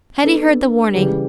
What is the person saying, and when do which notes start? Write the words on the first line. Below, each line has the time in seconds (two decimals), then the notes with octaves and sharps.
Hetty heard the warning.
0.24 B3 D4 A4
0.95 C#3 E3 G3